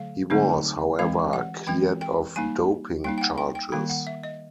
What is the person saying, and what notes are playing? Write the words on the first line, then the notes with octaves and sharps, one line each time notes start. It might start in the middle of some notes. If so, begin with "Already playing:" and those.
He was, however, cleared of doping charges.
Already playing: D3 F#3 A3 F5
D3 F#3 A3 C4 D#4
E3 G#3 C4 F5
F#5
E3 G#3 C4 G5
G5
G3 A#3 D#4 G#5
G3 A#3 D#4 G5
G5
F#5
G5
G5
D#3 G3 A#3 G5
F#5
E5
D#5